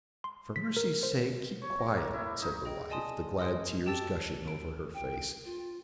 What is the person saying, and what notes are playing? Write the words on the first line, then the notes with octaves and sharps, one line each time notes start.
"For mercy's sake, keep quiet," said the wife, the glad tears gushing over her face.
C6
B6
A#4
C5
C#5
A#5
A#3
E4
D#4
G#4 D#5 G5
D5 D#5 G#5 A5 C6 D#6
D#5 C6 D#6
G4 G5 A5 E6 A6
D7
G5
F4